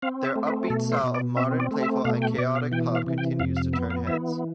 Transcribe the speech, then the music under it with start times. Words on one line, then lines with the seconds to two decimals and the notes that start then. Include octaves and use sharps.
Their upbeat style of modern playful and chaotic pop continues to turn heads.
0.02 C4 F5
0.24 E5
0.36 A3
0.47 B4
0.70 B2 A4
0.92 C5
1.03 B2
1.14 D5
1.37 C4 E5
1.60 D5
1.71 A3
1.83 E5
2.04 B2 F5
2.22 G5
2.38 B2 D5
2.55 F5
2.72 E3 G5
2.95 F5
3.06 C3
3.18 G5
3.39 F2 F5
3.57 F5
3.73 B3 E5
3.90 F5
4.07 E3 E5